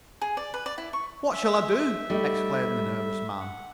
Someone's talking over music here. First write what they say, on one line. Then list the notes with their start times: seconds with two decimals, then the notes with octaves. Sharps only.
"What shall I do?" exclaimed the nervous man.
0.21 G#4
0.37 D5
0.54 B4
0.66 D5
0.78 E4
0.93 C#6
1.33 E5
2.10 G3 A3 D#4
3.40 F#5